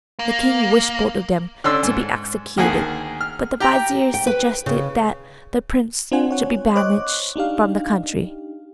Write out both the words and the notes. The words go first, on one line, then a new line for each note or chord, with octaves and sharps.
The king wished both of them to be executed; but the vizier suggested that the prince should be banished from the country.
A#3
D3 C#4 D5 C6 E6
G#2
D2 D#3 A#3 G#4 F#5 G#5
F6
G4 G5 A#5
G5
B4
C#3
C4 D4 F4 C5 F#5 G#5
C#5 F#5
C5 C#5 D#5 D6 F#6
D4 D#4 G4 F5